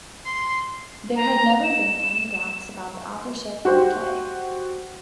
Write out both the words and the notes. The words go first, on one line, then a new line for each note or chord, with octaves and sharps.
There had never been any doubts about the authorship of the play.
C6
A#5
E7
F#4 G4 C5